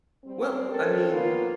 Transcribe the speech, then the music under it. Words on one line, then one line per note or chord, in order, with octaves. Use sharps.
Well, I mean,
G3 C4
C4 C#4 A4 A#4
A#3 B3 F4 A#4 B4